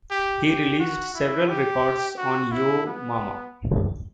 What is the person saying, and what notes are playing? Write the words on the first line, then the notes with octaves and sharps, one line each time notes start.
He released several records on Yo Mama.
G4
G4
F#4
E4
G4
F#4
E4
B3